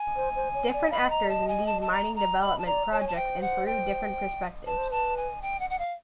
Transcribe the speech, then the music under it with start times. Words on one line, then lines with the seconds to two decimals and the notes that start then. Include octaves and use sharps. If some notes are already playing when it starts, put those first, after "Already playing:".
Different actors in these mining development projects in Peru different perspectives.
Already playing: G#5
0.16 C5
0.35 C5
0.54 C#5
0.73 D5
0.91 D#5 F5 B5
1.09 A#5
1.28 A5
1.47 G#5
1.66 A5
1.81 A5
1.92 A#5
2.15 A#5
2.41 D#5 B5
2.58 A5
2.66 D5 A#5
2.91 C#5 A5
3.00 G#5
3.07 A5
3.15 C5 G5
3.41 F#5
3.66 G5
4.66 B4 A5
4.78 C5
4.91 B4 A5
5.16 G#5
5.42 G5
5.59 F#5
5.70 F#5
5.78 F5